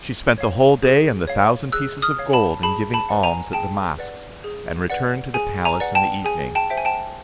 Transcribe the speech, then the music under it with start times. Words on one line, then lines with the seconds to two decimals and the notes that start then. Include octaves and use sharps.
She spend the whole day and the thousand pieces of gold in giving alms at the mosques, and returned to the palace in the evening.
0.38 C#5 F5
0.82 G#4
1.27 C#5 F5
1.72 G#4 E6 F#6
2.02 D#6 F6
2.18 C#5 F5
2.33 A5 B5
2.63 G#4 A5 B5
2.94 A5 B5
3.09 B4 D5 F#5
3.23 G#5 A#5
3.53 G#4 G5 A5
3.98 B4 D5 F#5
4.44 G#4
4.90 B4 D5 F#5
5.34 G#4 G#5
5.65 G#5 A#5
5.80 B4 D5 F#5
5.95 G5 A5
6.25 G#4 G#5
6.55 G5 A5
6.70 C5 E5 G5
6.78 G#5
6.85 G5 A5